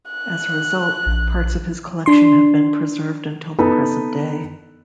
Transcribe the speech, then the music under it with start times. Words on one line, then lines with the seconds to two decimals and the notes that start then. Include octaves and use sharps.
As a result, parts of his collection have been preserved until the present day.
0.12 F#6
1.06 A#1
2.06 D4 C6
3.59 B3 D#4 A4 B4